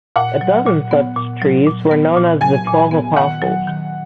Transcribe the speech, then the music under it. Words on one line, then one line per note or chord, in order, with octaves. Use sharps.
A dozen such trees were known as the Twelve Apostles.
A#2 F#5
F#3
A#2
B3
A#2
F#3
A#2
B3
A#2
F#3 G#5
A#2
G#5
B3
D#3 F#5
F#3
D#3